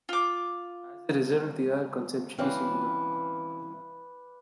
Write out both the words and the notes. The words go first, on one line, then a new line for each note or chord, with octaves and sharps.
As a result, they are conceptually similar.
F4 D6
E3 C4 C#4 B4 D5 F5